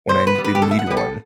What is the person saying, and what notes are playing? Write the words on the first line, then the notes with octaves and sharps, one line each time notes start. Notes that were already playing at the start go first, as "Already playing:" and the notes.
when I n did need one.
B2 C5
B4
G3 B3
B4
G4
B2 A4
E5
F#5
G3 B3 B4
A4